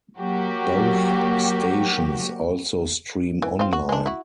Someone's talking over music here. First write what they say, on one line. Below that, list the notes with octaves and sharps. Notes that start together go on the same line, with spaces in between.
Both stations also stream online.
F#3 A#3 F#4 G4
E3
C4 F4
F#4
G#3 D4
E4 F#4